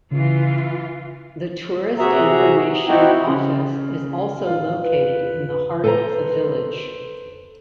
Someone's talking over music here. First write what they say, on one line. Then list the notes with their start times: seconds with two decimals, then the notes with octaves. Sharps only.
The Tourist Information Office is also located in the heart of the village.
0.11 C#3 E3 F4
1.99 C3 F#4 G#4 E5 A#5
2.87 C4 D#4 E4 F#4 G4
3.27 C#3
4.45 F4
4.83 B4
5.84 A4 B4 C5 G5 A#5